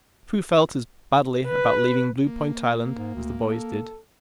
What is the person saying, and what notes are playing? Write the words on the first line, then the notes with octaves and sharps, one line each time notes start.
Prue felt as badly about leaving Blue Point Island as the boys did.
B4
A#3
G#2
D2
A4